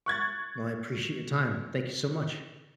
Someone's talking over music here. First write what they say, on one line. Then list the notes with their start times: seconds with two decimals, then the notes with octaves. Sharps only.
Well, I appreciate your time. Thank you so much.
0.06 C#6 F#6 G#6 A6